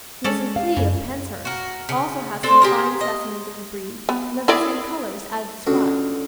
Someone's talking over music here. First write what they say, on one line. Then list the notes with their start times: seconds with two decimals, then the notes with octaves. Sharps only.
Mrs. Lee, of Penshurst, also has some fine specimens of the breed, and of the same colours as described.
0.24 G#3 C#4 A4 D5
0.56 G4 F5
0.77 F#2 C#3
1.45 F#4 A#4
1.89 C#3
2.43 C4 D4 A4 C5
2.62 G4 G#4 A#4
3.01 D#5
4.09 B3
4.48 E4 G#4 A#4 D5 E5
5.67 C#2 D3 F#4